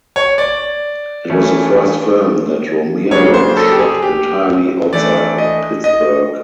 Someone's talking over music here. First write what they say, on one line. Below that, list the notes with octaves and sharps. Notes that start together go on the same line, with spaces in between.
It was the first film that Romero shot entirely outside of Pittsburgh.
C#5
D5
E3 A3 C#4
C#3 F#3 A#3 D4 C#5
C5
A4
G4
G#4
G4
E3 A3 D4 D5
D#5
D#5